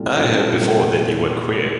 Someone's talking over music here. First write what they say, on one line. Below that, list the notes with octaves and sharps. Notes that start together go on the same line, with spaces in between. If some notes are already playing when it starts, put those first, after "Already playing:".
I heard before that you were queer.
Already playing: C2 A#2 G3 F4 A4
C2 A#2 G3 F4 A4
G4
F4 A4
C2 A#2 G3 G4 A#4